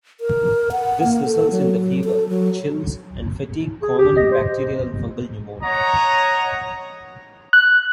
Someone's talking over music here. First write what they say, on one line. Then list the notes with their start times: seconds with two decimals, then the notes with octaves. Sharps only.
This results in the fever, chills, and fatigue common in bacterial and fungal pneumonia.
0.21 A#4
0.72 F#5
1.04 A#3
1.25 A4
1.51 F#3
2.04 A4
2.29 F#3
3.83 G#4
3.99 G4
4.17 D#5
4.31 C5
5.63 C#5 D#5 F#5 A#5
7.53 F#6